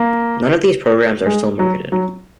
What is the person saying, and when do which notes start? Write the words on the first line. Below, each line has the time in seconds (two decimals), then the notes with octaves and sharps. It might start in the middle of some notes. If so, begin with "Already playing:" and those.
None of these programs are still marketed.
Already playing: A#3
1.26 G#3
1.59 F#3
1.92 F#3